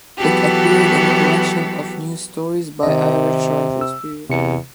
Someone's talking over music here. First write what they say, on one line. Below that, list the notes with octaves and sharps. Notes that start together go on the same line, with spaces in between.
It appeared in a collection of new stories by Irish writers.
E3 F#3 B3 F#4 G4 A4
C3 D#3 D#5
E6
E2 C3 C#7